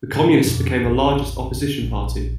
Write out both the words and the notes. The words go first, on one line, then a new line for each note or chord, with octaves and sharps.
The communists became the largest opposition party.
A2
F2 B2 F3
A1 E2
A#1